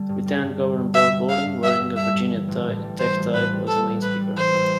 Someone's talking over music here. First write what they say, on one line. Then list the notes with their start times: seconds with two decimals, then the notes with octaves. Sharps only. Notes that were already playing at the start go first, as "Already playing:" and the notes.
Lieutenant Governor Bill Bolling, wearing a Virginia Tech tie, was the main speaker.
Already playing: D3 G3
0.09 G2
0.26 G3
0.43 G2
0.60 D3
0.77 G2
0.94 G3 E5
1.12 G2
1.29 D3 F5
1.46 G2
1.63 G3 E5
1.80 G2
1.97 D3 E5
2.14 G2
2.31 E3
2.48 A1
2.65 A2
2.82 G3
2.99 E3 C5
3.17 A1
3.34 A2 B4
3.51 G3
3.67 E3 A4
3.85 A1
4.02 A2 B4
4.19 G3
4.37 E3 C5
4.54 A1